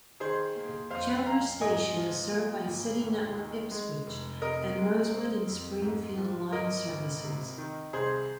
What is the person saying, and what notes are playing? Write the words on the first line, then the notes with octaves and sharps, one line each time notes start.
Chelmer station is served by City network Ipswich and Rosewood and Springfield line services.
D#3 G#4 C5
A#3
F2 C5 F5
F2 F5 A#5
G#2 D#5 G#5
F3
A#3
G#1
D#2
D#3
G#3
F1
C3 A#4 D#5
G#3
C4
F2
G#2
F3
G#1 A#4 D#5
G#1
C3
D#3
C2 G#4 C5